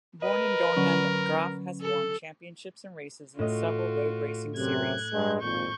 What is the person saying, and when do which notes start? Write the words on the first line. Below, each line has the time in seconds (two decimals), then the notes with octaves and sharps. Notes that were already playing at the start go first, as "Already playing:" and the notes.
Born in Dornhan, Graf has won championships and races in several road racing series.
0.22 A#4 B4 D#5
0.77 D3 F#3 C#4
1.81 A4
3.39 A2 F4 F#4 D#5
4.57 F#2 C3 F#6 G#6
5.12 G2 G#3
5.41 G#1 F2 A#2 C#6 G6